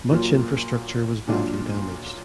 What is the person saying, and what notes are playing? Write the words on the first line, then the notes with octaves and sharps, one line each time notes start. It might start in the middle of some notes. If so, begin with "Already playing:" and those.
Much infrastructure was badly damaged.
A#2 F#3 A#3 F4
A#2 F#3 D4 F4